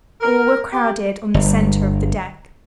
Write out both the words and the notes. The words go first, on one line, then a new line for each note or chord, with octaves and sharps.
All were crowded on the centre of the deck.
A#4
G4
G1